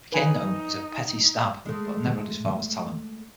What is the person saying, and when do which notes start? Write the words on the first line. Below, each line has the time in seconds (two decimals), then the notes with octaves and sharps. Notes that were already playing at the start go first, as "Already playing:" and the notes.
He became known as "Petit Stab" but never had his father's talent.
0.12 D#4 B4 G#5 B5
1.66 G#3 A3